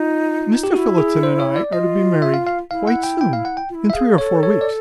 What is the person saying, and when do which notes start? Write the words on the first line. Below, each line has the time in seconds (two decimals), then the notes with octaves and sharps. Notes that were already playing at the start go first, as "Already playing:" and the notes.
Mr. Phillotson and I are to be married quite soon--in three or four weeks.
Already playing: D#4 F4
0.63 G4
0.74 E4 F#4
0.98 G#4
1.23 C5
1.40 C#5
1.56 D5
1.72 F4 D#5
2.22 E5
2.34 F5
2.47 F5
2.71 E4 F5
2.87 F#5
3.04 G5
3.21 G5
3.33 F5
3.45 F#5
3.57 G5
3.70 F4
3.75 E4
3.90 E5
3.94 G#4 F5
4.18 A4 C#5
4.43 C#5
4.61 D5